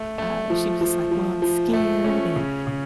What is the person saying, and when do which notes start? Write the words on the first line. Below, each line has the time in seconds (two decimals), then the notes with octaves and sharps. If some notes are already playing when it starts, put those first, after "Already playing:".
uh, she was just like, "Well, I'm scared, and
Already playing: A3
0.18 A3
0.50 F3
0.81 F3
1.11 F3
1.42 F3
1.73 A3
2.04 C#4
2.36 C#3
2.67 C#3